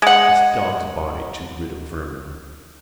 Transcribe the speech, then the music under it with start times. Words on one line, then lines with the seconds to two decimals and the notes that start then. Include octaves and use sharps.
This dogsbody to rid of vermin.
0.02 G#3 F#5